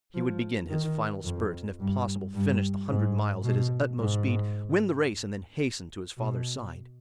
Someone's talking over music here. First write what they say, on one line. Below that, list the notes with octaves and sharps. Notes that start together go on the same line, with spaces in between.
He would begin his final spurt, and if possible finish the hundred miles at his utmost speed, win the race and then hasten to his father's side.
F3
D#3
F2
G2
G2
G#2
B2
G#2
B2